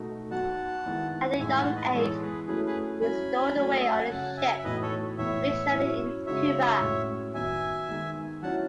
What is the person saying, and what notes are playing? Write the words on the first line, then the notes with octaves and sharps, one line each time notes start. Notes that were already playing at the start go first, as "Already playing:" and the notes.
At a young age he stowed away on a ship which landed in Cuba.
Already playing: B2 A3 D#4 F#4
F#3 B3 D#4 F#4 F#5 A5
D#3 G#3 B3 E4
A2 E3 G#3 D#4 E5 G#5
B5
F#5 A5
B4 D#5
E3 G#3 B3 A4 C#5
G#4 B4
F#3 A3 C#4 E4 G#4 B4
G#4 B4
F#3 C#4 E4 G#5 B5
F#3 A3 C#4 F#4
D#5
E5
F#5
G#5
C#3 F#3 C#4 F#5 A5
E5 G#5
E5
A2 E3 B3 D#4 F#4 B4 D#5
A4 C#5
A2 E3 B3 C#5 E5
F#3 C#4 E4
C#3 G#3 D#4 F#4 C#5 E5
A2 G#3 C#4 F#4
D#3 F#3 B3 D#4 F#4 E5 G#5
D#3 G#3 B3 D#4
F#3 C#4 E4 F#5 A5